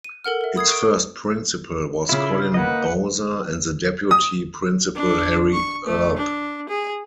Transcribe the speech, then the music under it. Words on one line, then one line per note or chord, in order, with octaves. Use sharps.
Its first Principal was Colin Bowser and the Deputy Principal Harry Earp.
D#7
A4 A#4 F#5 F6
A#4 E5
B5 D#6 G#6 C7
C#6 D#6 D7
C#3 E4 F4 E5
A#3 D#4 B4 D#5 F#5
D#6
D4
C#6
A3
D4
G#4